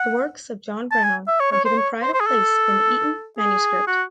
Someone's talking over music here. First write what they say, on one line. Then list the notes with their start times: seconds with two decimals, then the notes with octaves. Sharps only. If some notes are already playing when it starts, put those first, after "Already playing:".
The works of John Browne are given pride of place in the Eton manuscript.
Already playing: F#5
0.91 A5
1.04 G#5
1.27 E5
1.40 C#5
1.52 C#5
1.65 C5
1.78 C#5
2.02 C5
2.14 C5
2.20 G#4
2.27 A4
3.38 G#4
3.87 F#4